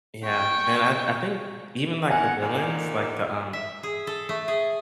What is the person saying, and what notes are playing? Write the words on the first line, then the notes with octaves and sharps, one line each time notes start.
Yeah, and I I think even, like, the villains, like, the, um
G5 C#6
G#2 A#4 F#5 G#5
A#2 D3 D#3
E5
G#4
A4
A3
G#4